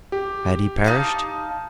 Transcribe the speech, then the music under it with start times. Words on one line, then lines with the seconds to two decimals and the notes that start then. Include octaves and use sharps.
Had he perished?
0.12 G4
0.84 D#4 F5 A5